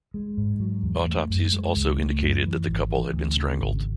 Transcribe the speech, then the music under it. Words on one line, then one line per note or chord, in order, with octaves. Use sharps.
Autopsies also indicated that the couple had been strangled.
G#3
G#2
F#3
E2
A3
F#2
G#3
C#2
A3
F#2
E3
G#1
E3
D2
C#3
G#1